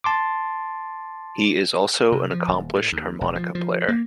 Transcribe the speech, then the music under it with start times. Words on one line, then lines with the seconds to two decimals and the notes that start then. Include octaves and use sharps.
He is also an accomplished harmonica player.
0.04 A5 C6 D6
2.12 C3
2.30 F3
2.48 D#1
2.75 A2
2.92 D#2
3.21 E1
3.35 F3
3.55 F3
3.88 A#3